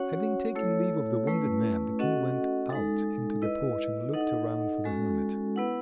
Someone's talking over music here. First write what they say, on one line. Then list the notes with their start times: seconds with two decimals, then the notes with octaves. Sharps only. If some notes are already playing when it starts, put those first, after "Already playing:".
Having taken leave of the wounded man, the King went out into the porch and looked around for the hermit.
Already playing: C#4 F#4 C#5 F#5
0.55 A3 E4 A4 C#5
1.27 A3 C#4 E4 B4
1.99 C#4 F#4 A4 D#5 F#5
2.70 G#3 D#4 A4
3.42 E4 B4 D#5
4.14 D#4 A4 D#5 F#5
4.84 G#3 C#4 F#4 A4
5.56 B3 E4 B4 F#5